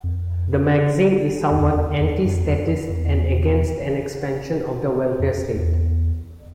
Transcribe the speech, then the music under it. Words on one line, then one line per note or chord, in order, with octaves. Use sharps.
The magazine is somewhat anti-statist and against an expanison of the welfare state.
F2
E2
F2
E2
E2
E2
F#2
F2
E2
F2
F2
E2
F2
E2